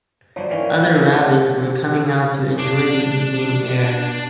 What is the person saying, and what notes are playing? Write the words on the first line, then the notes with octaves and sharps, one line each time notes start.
Other rabbits were coming out to enjoy the evening air.
G1 F3 F#3 C#5 D5
D#3 E3 C#4 F5
C3 E3
A3 D6
D4 D5